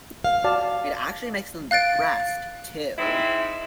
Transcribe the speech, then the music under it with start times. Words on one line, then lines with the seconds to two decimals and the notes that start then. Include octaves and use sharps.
It actually makes them depressed too.
0.24 F5
0.44 F#4 D5 A5
1.71 F5 F#6 A6 D7
2.98 G#2 C4 E4